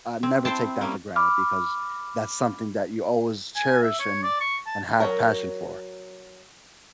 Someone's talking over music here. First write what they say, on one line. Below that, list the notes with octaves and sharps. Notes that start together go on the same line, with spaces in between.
uh, never take that for granted, because that's something that you always cherish, and and have passion for.
C4
C4 E4 C5 G5 A5
G3 A#3 C#4
B5 D6 F6
G#5
E5
C#5
D5
C#6
A5
F#3 G#3 C#4 A#4